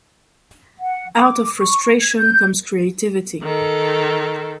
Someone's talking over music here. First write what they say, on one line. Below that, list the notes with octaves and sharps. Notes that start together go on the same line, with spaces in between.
Out of frustration comes creativity.
F#5
D6
C#6
G#6
G6
D#3 A4